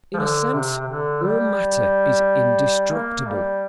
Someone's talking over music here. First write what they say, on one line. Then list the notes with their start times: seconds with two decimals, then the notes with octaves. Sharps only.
In a sense, all matter is indestructible.
0.14 F3
0.19 D3
0.54 C3
0.79 C3
0.88 D3
1.23 G3
2.93 A#3
3.28 G3